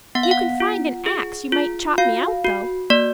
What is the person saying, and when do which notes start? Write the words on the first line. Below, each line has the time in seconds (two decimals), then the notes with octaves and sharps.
If you can find an axe you might chop me out, though.
0.15 B3 F#5
0.23 F5
0.31 F#5
0.60 F4
1.06 G#4
1.52 F4
1.98 F#4 F5
2.45 F#4
2.90 A#3 D5